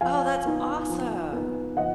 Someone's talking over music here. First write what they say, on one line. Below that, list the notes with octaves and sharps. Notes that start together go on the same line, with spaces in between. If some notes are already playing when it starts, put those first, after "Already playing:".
Oh, that's awesome.
F3 F5 G#5
B3 D#4
F3
B3 D#4
F3 D#5 F#5